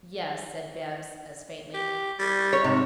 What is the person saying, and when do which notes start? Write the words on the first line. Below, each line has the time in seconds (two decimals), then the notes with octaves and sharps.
"Yes," said Bibbs, as faintly.
1.74 G4
2.19 G3
2.53 C#5
2.64 G#2 C3